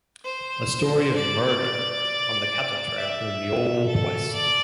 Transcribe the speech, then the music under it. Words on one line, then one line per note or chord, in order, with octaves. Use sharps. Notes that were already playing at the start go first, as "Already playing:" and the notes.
A story of murder on the cattle trail in the old West.
C5
D5
E5
A4
D5